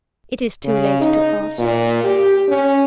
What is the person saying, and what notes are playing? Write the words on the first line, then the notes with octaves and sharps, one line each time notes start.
It is too late to ask.
C#3
D#4
A#2
G4
C#4